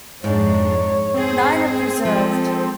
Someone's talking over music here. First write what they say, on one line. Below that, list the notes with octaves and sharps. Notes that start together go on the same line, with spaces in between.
Nine are preserved.
F2 G#2 G#3 D4 C#5
C4 G#4 C5
F3 G#3 A4